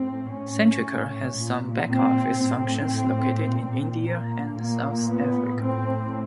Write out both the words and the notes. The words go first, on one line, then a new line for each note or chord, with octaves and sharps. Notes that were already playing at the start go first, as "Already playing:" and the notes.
Centrica has some back office functions located in India and South Africa.
Already playing: A2 C4
A2 C#4
A#2
C4
A2 C4
A#2
A#3
A#2 A#3
B3
A2 C4